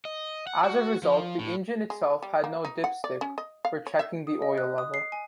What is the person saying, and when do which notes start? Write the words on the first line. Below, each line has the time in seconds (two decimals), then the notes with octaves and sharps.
As a result, the engine itself had no dipstick for checking the oil level.
0.05 D#5
0.47 F#5
0.64 F#4
1.03 F3
1.39 A2
1.90 G#3
2.23 G3
2.44 A#3
2.65 D#4
2.84 F#5
3.04 D5
3.21 C#4
3.38 D#5
3.65 F5
3.87 C#5
3.99 E5
4.27 D#6
4.42 D#5
4.58 F#6
4.78 D#6
4.94 C7
5.12 G#5